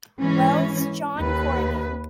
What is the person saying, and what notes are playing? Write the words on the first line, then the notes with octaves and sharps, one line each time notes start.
Wells, John Corrigan.
G#2 E3 C#4
D#2 B4